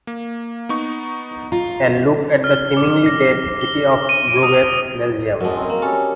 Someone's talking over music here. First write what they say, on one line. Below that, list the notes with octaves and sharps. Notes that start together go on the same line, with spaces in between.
A look at the seemingly-dead city of Bruges, Belgium.
A#3
B3 D#4 C#6
F4 A#5
F6
D6
A#6
G7
D#7
D7
D#6
F#2 G#3 F#4 D#5 A5
C4 A#4
A#3
G3 C#4 A4 C#5